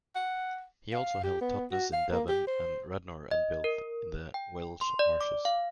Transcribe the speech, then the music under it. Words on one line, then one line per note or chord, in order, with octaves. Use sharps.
He also held Totnes in Devon and Radnor and Builth in the Welsh Marches.
F#5
F5
G4
B3
F#4
F5
A#3
G4
C5
D#5
A#4
G5
C6
D5
D6
F5